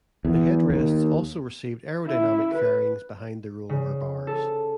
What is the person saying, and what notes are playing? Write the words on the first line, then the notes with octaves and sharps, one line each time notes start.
The headrests also received aerodynamic fairings behind the rollover bars.
E2
D#2
E4
B4
C#3
A4